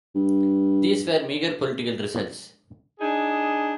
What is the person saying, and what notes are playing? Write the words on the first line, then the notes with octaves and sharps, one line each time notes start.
These were meagre political results.
G2
D4 D#4 G#4